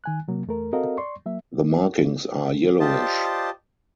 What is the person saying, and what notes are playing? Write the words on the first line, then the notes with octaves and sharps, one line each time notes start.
The markings are yellowish.
D#3 G#5 F#6
C3 F#3 A#3
E2 A3 A#4
C4 F#4 A4 A#4 D#5 F5
D5 C6 C#6
F#3 A#3 E5
F4 G4 C5 D5 D#5 A5